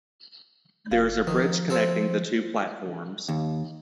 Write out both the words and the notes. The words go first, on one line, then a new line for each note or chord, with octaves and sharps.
There is a bridge connecting the two platforms.
F#1 F5
D#3 F3
C4 A4
D#2